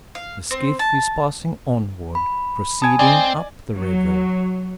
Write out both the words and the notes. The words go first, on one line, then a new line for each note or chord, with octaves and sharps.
The skiff is passing onward--proceeding up the river!
F5
C4
A5
B5
G#5 A5 D#6 G#6
C4 D5 D#5 G#5
F#3